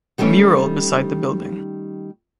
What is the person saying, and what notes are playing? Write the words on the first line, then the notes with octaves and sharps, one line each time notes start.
A mural beside the building.
D#3 G3 A3 C#4 G4